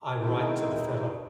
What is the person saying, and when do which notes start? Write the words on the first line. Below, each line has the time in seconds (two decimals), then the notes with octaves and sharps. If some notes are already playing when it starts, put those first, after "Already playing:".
I write to the fellow.
0.21 B2 D#3 G#3 C4 D#4 E4